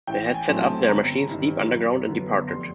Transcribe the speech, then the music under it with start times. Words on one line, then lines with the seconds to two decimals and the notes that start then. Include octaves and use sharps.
They had set up their machines deep underground, and departed.
0.07 A1 G5
0.34 G#5
0.48 A2 F#3 A3 C4
0.62 A5
0.88 G1 A#5
1.28 G2 D#3 G3
1.69 F#2
2.09 D3 F#3 B3
2.48 F1 C6